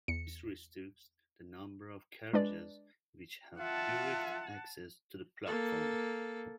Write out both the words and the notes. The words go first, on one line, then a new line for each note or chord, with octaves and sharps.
This restricts the number of carriages which have direct access to the platform.
E2 C#7
G#3 D4 B4 D5
F4 E5 F#5 A5
A#3 A4